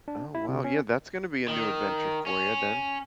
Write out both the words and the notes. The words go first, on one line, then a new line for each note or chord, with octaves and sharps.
Oh wow, yeah, that's gonna be a new adventure for you then.
D4
E4
C3
C#4
D#3
C#4